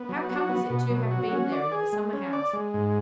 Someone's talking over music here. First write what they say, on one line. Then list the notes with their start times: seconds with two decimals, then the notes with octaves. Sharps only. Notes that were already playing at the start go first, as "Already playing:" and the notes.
How comes it to have been there in the summer-house?
Already playing: B3
0.09 F#3
0.30 F#4
0.49 B3
0.70 B2
0.90 F#3
1.11 F#4
1.32 C#4
1.52 D5
1.72 G#4
1.92 G#3
2.13 C#4
2.33 D5
2.53 G#3
2.74 G#2